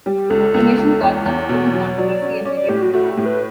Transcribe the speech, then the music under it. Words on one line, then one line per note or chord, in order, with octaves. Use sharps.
The proclamation caused considerable controversy and debate in France.
G3 G4
C#2 A4
C#2
C#2
E2 C#5
E2
B2 C#5
F#3
F#3 D5
C#4
C#4 D5
D5
A2 G4
F#4
A3 F#4
G4
A2
B4